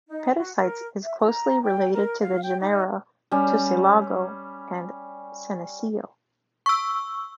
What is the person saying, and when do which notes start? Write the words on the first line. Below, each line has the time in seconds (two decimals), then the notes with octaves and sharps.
"Petasites" is closely related to the genera "Tussilago" and "Senecio".
0.10 D#4
0.36 F#4
0.59 A#4
1.04 E5
1.21 A#5
1.63 G5
1.93 A#4
2.20 F5
2.43 G5
2.60 D#4
3.31 G3 C#4
6.66 C#6 E6